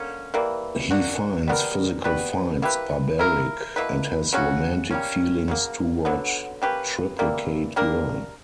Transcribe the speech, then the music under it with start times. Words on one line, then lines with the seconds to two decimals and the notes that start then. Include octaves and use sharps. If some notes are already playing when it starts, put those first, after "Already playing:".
He finds physical fights barbaric and has romantic feelings toward Triplicate Girl.
Already playing: D3 A#3 C#4
0.34 E3 G3 A#3
0.91 A#3 D4 F#4
1.48 G3 B3 F#4 A#4
2.04 G3 B3 F#4 B4
2.62 A#3 E4 G4 B4
3.19 A#3 E4 A#4
3.76 B2 A#3 E4 B4
4.33 C#3 F#3 C#4 F#4
4.91 G3 A#3 C#4
5.48 C#3 F#3 A#3
6.05 D3 F#3 B3
6.62 A#3 C#4 G4 B4
7.19 E3 G3 A#3
7.76 G3 A#3 D4 A#4